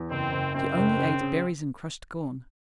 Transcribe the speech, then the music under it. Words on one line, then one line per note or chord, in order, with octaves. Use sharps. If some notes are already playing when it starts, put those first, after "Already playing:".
She only ate berries and crushed corn.
Already playing: E2
F#1 C4
F#1
F#2 C4
F#1
C#3
C#3